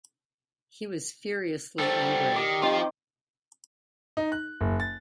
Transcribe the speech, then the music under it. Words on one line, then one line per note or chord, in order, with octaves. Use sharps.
He was furiously angry.
G3 A4 C5
D#3 G4 D5
D#3 C4 F4 C5 D5
D#4
F#6
F#1
A6